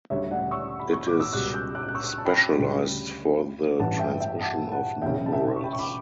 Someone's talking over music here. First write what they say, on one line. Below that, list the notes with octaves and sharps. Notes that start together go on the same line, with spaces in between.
It is specialized for the transmission of numerals.
D2 C#3 G3 C#5 E5
D5 F#5
C#6 E6
B5
C#6
D6
E6
C#2 B2 G3 D6 F#6
E6 G6
D6 F#6
F#6
C#6 E6
A5
G5 B5
D2 C#3 G3
A1 G2 E3 G3 F#5 A5
E5 G5
E5 G5
F#5 A5
F#5 A5
E1 E2 C#3 E5 G5
A5
E5 G5
C#6
G5 B5
C#6
B5 D6